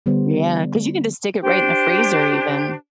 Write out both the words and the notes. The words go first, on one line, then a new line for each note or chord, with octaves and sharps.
Yeah. ‘Cause you can just stick it right in the freezer even.
D3 G3 B3 C5
D4 G4 C5